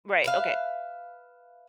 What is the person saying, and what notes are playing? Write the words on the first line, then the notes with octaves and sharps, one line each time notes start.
Right, okay.
B4 E5 F5